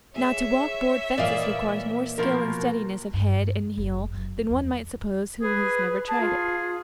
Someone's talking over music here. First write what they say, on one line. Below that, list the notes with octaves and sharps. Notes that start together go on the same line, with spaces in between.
Now, to "walk" board fences requires more skill and steadiness of head and heel than one might suppose who has never tried it.
G#4 C#5 E5
A#2 E3 A#3 D5 D#5 F5
B2 F3 A#4
G2
F#1
F#2
E2
G#4 B4
G#4 A5
F4